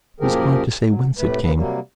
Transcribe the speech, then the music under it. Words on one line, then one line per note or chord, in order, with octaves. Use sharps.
"It was hard to say whence it came."
F#2 A#2 F3 G4 G#4 A#4
F#3
A2 C3 A3 B4
D#2 C#3 B4
C3 F#3 G3 A#3